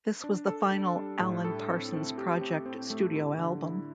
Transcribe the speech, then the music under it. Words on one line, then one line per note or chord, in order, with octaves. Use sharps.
This was the final Alan Parsons Project studio album.
D4
A4
D4
G3
A2
A4
C4
C4
G4
C4
C4
A3
E4
D3
E4